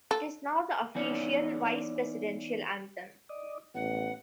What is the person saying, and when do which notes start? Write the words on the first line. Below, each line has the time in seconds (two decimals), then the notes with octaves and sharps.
It is now the official Vice Presidential anthem.
0.11 A4
0.95 E3 B3 D#4 C#5 D5
3.29 D5 D#5
3.74 A1 B3 F#5